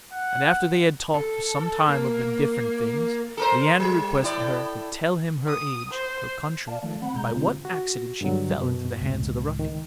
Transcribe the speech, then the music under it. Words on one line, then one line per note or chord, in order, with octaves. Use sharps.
And after they had talked for some time of indifferent things, Leander requested her to tell him her age, her country, and by what accident she fell into the hands of the ruffians.
F#5
A4
A#3
A4 A#4 C5
G3
A2 E4 D5
D#6
C5
D5 F5 A5
D#3 F3 A3
C4 F#5 B5
B2 G#3 A#5 G6
B2 D3 C4 F4
F#4
G2 D3 F#3
F#2 B2
C#2 A2
D#3